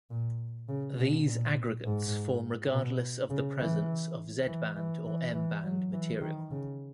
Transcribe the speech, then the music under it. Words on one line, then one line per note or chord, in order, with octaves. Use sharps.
These aggregates form regardless of the presence of Z band or M band material.
A#2
C#3
B2
A#2
G#2
B2
C#3
E3
E3
E3
E3
E3
F#3
E3
D#3
C#3